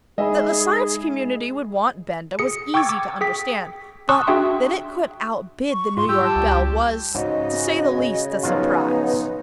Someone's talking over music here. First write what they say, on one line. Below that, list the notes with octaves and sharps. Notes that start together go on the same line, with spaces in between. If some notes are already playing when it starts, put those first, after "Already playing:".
That the Science Community would want Benda was easy to understand; but, that it could outbid the New York Bell, was, to say the least, a surprise.
G#3 D#4 G#4 D#5 E5 G#5 B5
G#4 C#7
G5 C#6 D6 E6 G#6 A6
D6 E6
G#4 G5 B6
A5 C6 C#6 D#6 E6 F#6
D4 F#4 G#4 E5 G5 C6
C#6
G#2 F4 C6
G3 G4 E6
A5
C#2
G#2 C#3 F#4 D#5
F3 F#3 B3 D#4 F4